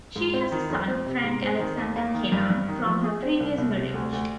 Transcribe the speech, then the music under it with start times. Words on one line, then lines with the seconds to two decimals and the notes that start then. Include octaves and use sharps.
She has a son, Frank Alexander Kennan, from her previous marriage.
0.16 G#2
0.34 C4
0.52 D#3
0.70 F2
0.88 C4
1.06 C3
1.24 G#2
1.42 C4
1.60 D#3
1.78 D#2
1.96 A#3
2.14 D#3
2.32 G2
2.50 G2
2.68 D#3
2.86 F3
3.04 G#4
3.23 C4
3.40 C2
3.58 C2
3.76 C3
3.94 D2
4.13 D2